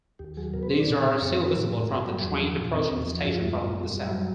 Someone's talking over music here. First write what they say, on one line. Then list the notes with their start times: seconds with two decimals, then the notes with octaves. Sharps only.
These are still visible from the train approaching the station from the south.
0.19 D#2 G4
0.37 F#3 G#4
0.54 B2 A#4
0.63 B4
0.70 C4 C5
0.79 D5
0.87 A#2
1.05 C4
1.21 F#2 C#5
1.38 F3
1.55 A2
1.73 G#3
1.89 G2 G#4
2.06 F#3
2.23 E2
2.40 F3
2.57 A#2
2.74 C4
2.91 E2
3.07 F3
3.25 G2 F#4
3.33 F4
3.41 G#3 E4
3.50 F4
3.58 F#2
3.76 G3
3.92 F#2
4.10 F#3